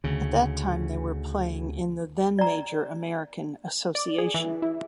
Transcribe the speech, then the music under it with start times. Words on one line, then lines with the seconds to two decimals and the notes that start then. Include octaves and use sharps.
At that time they were playing in the then-major American Association.
0.04 D2 C#3
2.39 D5 A#5
3.95 D5
4.18 G#4
4.34 E3
4.62 E4